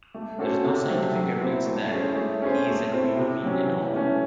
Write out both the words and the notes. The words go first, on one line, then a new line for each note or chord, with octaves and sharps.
There is no scientific evidence that he is a human being at all.
A3
C#4 F#4 A4 C5
C3
F#3 A3 C4
F#3
C4 E4
A3
C#4 E4 G#4 C5
A3
C#4 G#4 C5
A3
C4 E4
C3
F#3 C#4
E3
A3 C#4